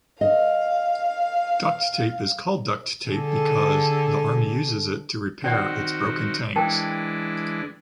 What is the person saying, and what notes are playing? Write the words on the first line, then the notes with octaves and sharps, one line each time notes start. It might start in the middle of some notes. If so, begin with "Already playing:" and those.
Duct tape is called duct tape because the army uses it to repair its broken tanks.
D#5 F5
D3 G#4 A4
D#3 C4 C#4 F#4 D5 F#5
E3 G#3 D4 A#4 G5 A5